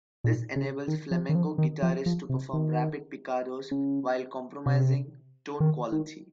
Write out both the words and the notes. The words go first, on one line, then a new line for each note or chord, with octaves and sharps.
This enables flamenco guitarists to perform rapid picados while compromising tone quality.
A#2
C#3
D#3
F3
D#3
F3
D#3
F3
F3
C3
D#3
C#3
C3
D#3
D#3